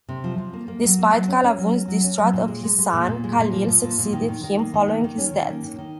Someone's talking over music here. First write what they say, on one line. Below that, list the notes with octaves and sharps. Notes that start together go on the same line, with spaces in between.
Despite Qalawun's distrust of his son, Khalil succeeded him following his death.
C3
F3
F3
A#3
A#3
F#3
A#3
F#3
C#4
C#4
F#3
C#4
F#3
C#4
F#3
A#2
G#3
G#3
G#3
A#2
A#2
G#3
A#2
F3
F3
A#2
A#2
D#3
D#3
D#3
A#3
D#3
A#3
D#3
C#4
D#3
A#3
D#3
D#3